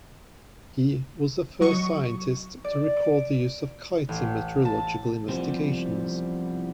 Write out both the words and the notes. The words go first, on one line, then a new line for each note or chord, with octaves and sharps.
He was the first scientist to record the use of kites in meteorological investigations.
F#3 D#5 C#6
D5
D7
A1
A5
C3 E3 F3 G3 B3 C4